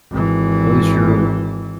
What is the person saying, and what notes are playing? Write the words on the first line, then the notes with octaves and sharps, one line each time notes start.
At least you're
G#1 E3